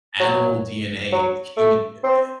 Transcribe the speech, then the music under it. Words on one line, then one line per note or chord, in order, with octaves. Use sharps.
animal DNA with human DNA, and
F#3
F#3
A3
C4